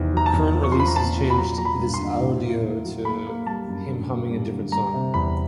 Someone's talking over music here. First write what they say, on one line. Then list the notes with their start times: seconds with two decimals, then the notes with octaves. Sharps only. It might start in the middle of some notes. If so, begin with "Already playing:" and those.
Current releases changed this audio to him humming a different song.
Already playing: E2 C3 D#3
0.13 F#3 A#5
0.26 A5
0.33 E2
0.54 F3
0.64 C#6
0.72 C6
0.75 F3 B5
0.88 A#5
0.95 A#2 A5
1.17 A#2
1.30 B5
1.37 F#3 A#5
1.58 F#3 A#5
1.65 B5
1.80 G2
1.94 C6
2.00 D3
2.21 A2
2.43 A#3
2.63 A2
2.84 F#3
3.05 A#3 B5
3.27 A#3
3.47 G3 A5
3.68 F#2
3.89 D3
4.09 A#3
4.30 G3
4.51 D3
4.72 G3 A#5
4.94 C3
5.14 E2 B5